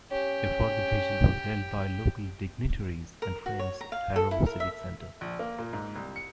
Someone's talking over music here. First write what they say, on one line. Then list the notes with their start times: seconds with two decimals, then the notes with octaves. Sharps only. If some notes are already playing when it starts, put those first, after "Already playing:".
A further vigil was held by local dignitaries and friends at Harrow Civic Centre.
0.12 C#4 G4
3.22 A#4
3.46 F#4
3.59 C#5
3.81 A#5
3.92 F5
4.16 A4
4.31 E4
4.46 A#4
4.60 E5
5.21 A#1
5.39 A#3
5.59 A#2
5.73 G#2
5.96 C2
6.16 C#7